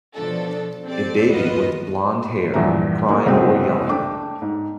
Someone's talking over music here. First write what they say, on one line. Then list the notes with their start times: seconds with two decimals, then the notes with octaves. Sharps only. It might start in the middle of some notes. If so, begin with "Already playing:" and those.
A baby with blondhair crying or yelling.
0.15 B2 F3 D4 A4
0.86 C4 G4 A4 D5
1.29 G#1 D#2 B3 F4 B4 D#5
2.54 A#1 E2 G2 E5 A#5
3.09 A1 A#3 E4 C#6
3.26 F#1 C2 G#3 C4 F#4 G5
3.88 A3 D4 G5 D6
4.42 G#2